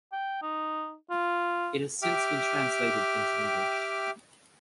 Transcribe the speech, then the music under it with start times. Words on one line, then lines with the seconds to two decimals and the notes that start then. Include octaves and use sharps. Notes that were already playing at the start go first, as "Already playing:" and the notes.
It has since been translated into English.
0.12 G5
0.42 D#4
1.10 F4
2.03 G4 E5 G5 D6 F6